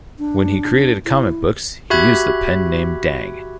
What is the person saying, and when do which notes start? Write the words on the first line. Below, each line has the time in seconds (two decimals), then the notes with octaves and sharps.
When he created comic books, he used the pen name Dang.
0.19 D4
1.05 E4
1.90 F#4 G4 E5 B5 F#6 G#6